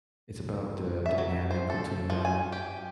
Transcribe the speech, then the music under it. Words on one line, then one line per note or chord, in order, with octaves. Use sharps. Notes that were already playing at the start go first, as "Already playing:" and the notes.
it's about the dynamic between them,
E5
F#3
C5
A4
F3
G#5
G4